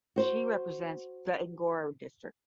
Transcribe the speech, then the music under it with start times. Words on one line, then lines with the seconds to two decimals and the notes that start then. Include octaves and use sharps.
She represents the Ngora District.
0.16 F#4 C5